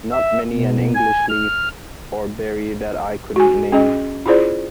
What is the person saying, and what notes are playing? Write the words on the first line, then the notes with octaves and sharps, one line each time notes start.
Not many an English leaf or berry that I couldn't name.
E5
B2
G#5
F6
F#4 G#5
C#4 G#4 D#5
E4 F4 G#4 C5 D5